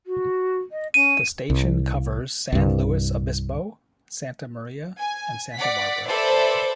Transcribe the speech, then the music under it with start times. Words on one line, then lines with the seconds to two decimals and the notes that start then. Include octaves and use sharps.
The station covers San Luis Obispo, Santa Maria and Santa Barbara.
0.06 F#4
0.71 D#5
0.94 C#4 D#7
1.50 C2
2.52 C2 G2
4.98 G#5
5.54 D5 F#5 B6
6.07 A4 B4 C5 D5 E5